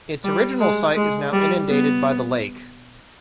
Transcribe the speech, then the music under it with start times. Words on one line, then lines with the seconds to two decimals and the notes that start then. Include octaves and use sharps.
Its original site is now inundated by the lake.
0.24 G3
0.60 G#3
0.96 G#3
1.33 G3
1.69 B3